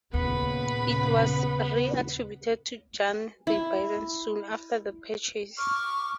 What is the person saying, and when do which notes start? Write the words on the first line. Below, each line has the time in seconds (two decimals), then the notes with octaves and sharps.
It was reattributed to Jan de Baen soon after the purchase.
0.14 D#2 A#2 C#3 B3 B4 B5
3.47 E4
5.58 C#6 D6 F6